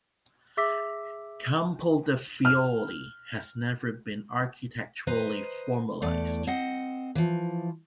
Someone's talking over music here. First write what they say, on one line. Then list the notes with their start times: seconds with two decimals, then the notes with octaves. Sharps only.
"Campo de' Fiori" has never been architecturally formalized.
0.57 G#4 E5 D6 E6 B6
2.45 F6
5.07 B4 C5 D#5 A#5
6.02 E2 A3 D5
6.47 C4 D#5 F#5
7.15 E3 F3